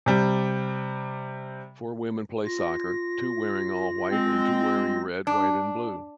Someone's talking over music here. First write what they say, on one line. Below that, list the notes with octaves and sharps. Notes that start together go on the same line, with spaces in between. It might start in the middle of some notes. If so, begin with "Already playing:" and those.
Four women play soccer, two wearing all white and two wearing red, white and blue.
C3 G3
F4 A#6
G#3 C4
D4